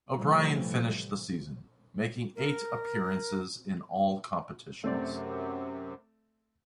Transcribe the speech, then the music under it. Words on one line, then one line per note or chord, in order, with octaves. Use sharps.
O'Brien finished the season, making eight appearance in all competitions.
A2 C3 E3 F3 G3 A3
A#4
F#2 C3 A3 C4 D5